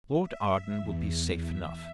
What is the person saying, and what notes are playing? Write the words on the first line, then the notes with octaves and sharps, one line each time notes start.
Lord Arden will be safe enough.
E5
E2
E5